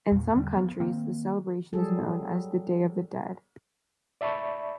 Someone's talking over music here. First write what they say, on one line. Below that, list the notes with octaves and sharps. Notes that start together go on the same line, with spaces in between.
In some countries the celebration is known as the "Day of the Dead".
E2 A#2
E2 D3 F#3 G3
F3 B3
D#3 A#3 C4
F#3 G3 G#4 A4
D5 E5 A5 B5 C#6